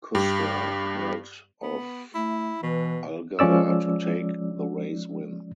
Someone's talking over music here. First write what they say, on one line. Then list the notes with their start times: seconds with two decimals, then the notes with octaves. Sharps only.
Custer held off Allgaier to take the race win.
0.15 G2 G4
1.63 B3
2.14 A3 E4
2.63 B2 E3
3.39 F3 G#3 C#4 D5 E6